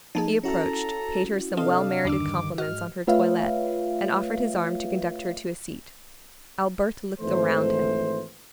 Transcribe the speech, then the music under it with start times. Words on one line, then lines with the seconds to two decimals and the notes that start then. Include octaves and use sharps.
He approached, paid her some well merited compliments on her toilet, and offered his arm to conduct her to a seat. Albert looked around him.
0.15 F3 A#3 D#4 G#4 A5
0.44 C#4 E4 F#4 A4 A#5
1.57 C3 C4 D4 A4 D#5 F5
2.05 E2 G2 D3 D#3 D4 D6 E6
2.58 G#2 F#4 D#5 F6
3.07 A3 F4 B4 C#5 E5 F5
7.20 G#1 E3 A3 C5